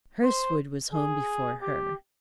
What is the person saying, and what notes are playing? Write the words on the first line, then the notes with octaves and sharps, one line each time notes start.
Hurstwood was home before her.
C5
G#4
G4